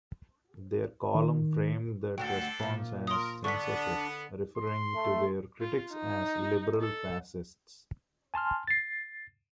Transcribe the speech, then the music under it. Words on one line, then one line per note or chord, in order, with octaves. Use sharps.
Their column framed that response as censorship, referring to their critics as "liberal fascists".
D#3
D2 D3 C4 D4 F#4 A4 G5
A#2 F3
A#4 C6 D#6
D3 B3 D4 A4 C#6 B6
C6
A3
F4
D#4
A4
G#5 A5 C6 F6
A6 C7